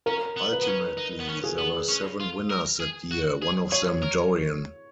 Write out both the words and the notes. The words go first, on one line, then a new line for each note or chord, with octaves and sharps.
Ultimately, there were seven winners that year, one of them Dorian.
C#4 A#4
B3
B4
B3
C#4
D#4
B3
C#4
G#4
B3
C#4
F4
A#4
G#4
F#4
G#4
G#4 C#5
A#4